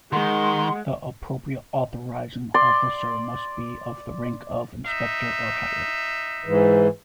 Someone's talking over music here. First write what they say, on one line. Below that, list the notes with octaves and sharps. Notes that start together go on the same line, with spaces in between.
The appropriate authorising officer must be of the rank of Inspector or higher.
D#3 G#3 F#5 C6
D5 C6
D#4 E5
G#2 E3